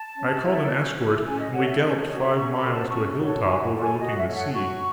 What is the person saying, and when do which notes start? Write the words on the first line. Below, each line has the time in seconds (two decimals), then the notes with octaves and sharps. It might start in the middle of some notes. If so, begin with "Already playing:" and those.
I called an escort and we galloped five miles to a hilltop overlooking the sea.
Already playing: A5
0.16 C#4
0.44 E4 A4
0.71 C#4
0.98 E4 A4
1.26 C#4 G#5
1.39 D#5
1.53 F#4 A4 C#5 F#5
1.67 E5
1.81 C#4
1.95 C#5
2.07 F#4 A4 C#5 D#5
2.22 E5
2.35 C#4 C#6
2.53 B5
2.62 F#4 A4 C#5
2.71 A5
2.90 C#4 C#6
3.17 F#4 A4 C#5
3.27 A5
3.44 F#4 G#5
3.72 A4 C#5
3.81 G#5
3.99 F#4 D#5
4.17 E5
4.27 A4 C#5
4.36 F#5
4.54 F#4 C#6